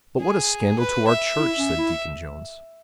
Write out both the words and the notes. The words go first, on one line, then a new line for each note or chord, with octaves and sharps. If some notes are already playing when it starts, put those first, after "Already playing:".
"But what a scandal to our church!" said Deacon Jones.
G#4
B4
E5
E4
C#4
E4